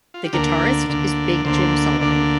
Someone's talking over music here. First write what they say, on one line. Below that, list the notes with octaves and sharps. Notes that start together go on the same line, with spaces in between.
The guitarist is Big Jim Sullivan.
F4
G4
D2 D3 A#3 D4 A#4
D2 D3 A#3 D4
D2 D3 A#3 D4 C5
D2 D3 A#3 D4 D5